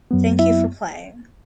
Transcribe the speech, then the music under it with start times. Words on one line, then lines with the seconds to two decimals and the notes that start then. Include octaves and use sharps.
Thank you for playing.
0.11 F#2 F#3 B3
0.39 E4 E5